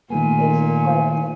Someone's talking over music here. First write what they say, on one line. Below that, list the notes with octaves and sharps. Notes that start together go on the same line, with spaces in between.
It's the friends.
A#2 D#3 A3 B3 G#5